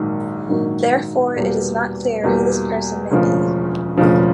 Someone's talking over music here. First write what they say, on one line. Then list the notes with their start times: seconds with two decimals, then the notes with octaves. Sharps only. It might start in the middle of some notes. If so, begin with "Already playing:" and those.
Therefore, it is not clear who this person may be.
Already playing: A#1 G#2 D#3 F#3 A#3
0.49 A#1 G#2 D#3 F#3 A#3
1.36 E2 B2 G3 A#3
2.23 E2 B2 G3 A#3
3.11 E1 D2 C#3 F3
3.97 E1 D2 C#3 F3